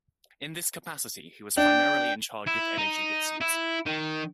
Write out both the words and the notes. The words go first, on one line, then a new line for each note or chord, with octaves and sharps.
In this capacity, he was primarily in charge of energy issues.
D4 G5
E4
D#4
E4
D#3